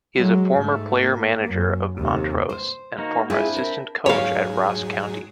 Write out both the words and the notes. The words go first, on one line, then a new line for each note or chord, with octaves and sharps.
He is a former player-manager of Montrose and former assistant coach at Ross County.
F#3 G#3
G#2 A3
A#3
F#2
D#2 C3
C5
A#3 D#4 F#4
C4 D4 E4 F4 G#4 B5
A#4
G#2 F#3 G#4 C#5 F5